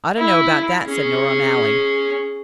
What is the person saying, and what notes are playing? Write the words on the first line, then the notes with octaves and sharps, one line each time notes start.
"I don't know about that," said Nora O'Malley.
E4
C#4 G#4